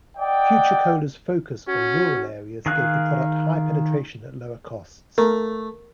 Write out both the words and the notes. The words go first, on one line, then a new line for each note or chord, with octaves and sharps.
Future Cola's focus on rural areas gave the product high penetration at lower costs.
D5 D#5 F#5 G5
C#4 F#4
D#3 G#4 F5 F#6
A3 A#4